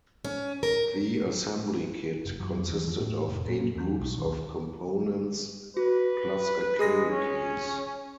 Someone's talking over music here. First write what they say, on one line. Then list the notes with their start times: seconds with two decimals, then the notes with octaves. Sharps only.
The assembly kit consisted of eight groups of components, plus a carry case.
0.25 C#4
0.63 A#4
2.26 F#1
2.40 F#3
2.58 F2
2.72 E2
2.88 F3
3.00 A2
3.28 F1
3.48 A#2
3.60 A#3
3.75 E2
3.99 B1
4.18 D#2
5.77 F#4 B4
6.79 G#3 G#4 D#6 A#6
7.10 C#4